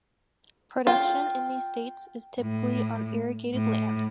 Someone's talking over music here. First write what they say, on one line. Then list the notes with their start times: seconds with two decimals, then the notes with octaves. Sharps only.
Production in these states is typically on irrigated land.
0.87 F4 G5
2.40 A2
3.53 A2